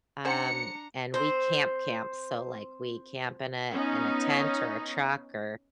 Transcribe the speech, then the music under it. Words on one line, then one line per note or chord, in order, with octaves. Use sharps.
um, and we camp, camp. So, like, we camp in a in a tent or a truck or,
C#4 D4 C5 F#5 A#5 C#7
C4 C5
B3 C#4 D#4